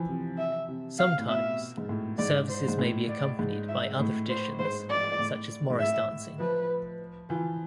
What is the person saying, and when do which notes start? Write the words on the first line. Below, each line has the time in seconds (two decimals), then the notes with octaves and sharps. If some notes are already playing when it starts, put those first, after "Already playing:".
Sometimes, services may be accompanied by other traditions such as Morris dancing.
Already playing: E3 F3
0.08 C3
0.38 E5
0.69 C3
0.99 F5
1.19 A2
1.29 B2 E5
1.78 G#2
1.89 A2
2.18 G#2 D5
2.49 C5
2.68 G#2
2.79 A2
3.09 D5
3.39 G#2
3.69 E5
3.99 A2
4.30 C5
4.59 G#2 C5
4.89 D5
5.19 A2
5.70 G#2
5.79 A2 E5
6.40 F3 B4
7.30 E3 F4